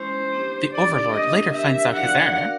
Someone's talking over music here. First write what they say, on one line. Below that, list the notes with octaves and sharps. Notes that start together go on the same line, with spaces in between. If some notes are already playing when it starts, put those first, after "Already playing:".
The overlord later finds out his error.
Already playing: G#3 C#4 E4 C5
A#3 D4 G4
A#3 D4 G4 D5
D4 G4 A#4 D#5
D4 G4 A#4 E5
D4 F#4 A#4 D5 F5 F#5
D4 F#4 A#4 D5 F5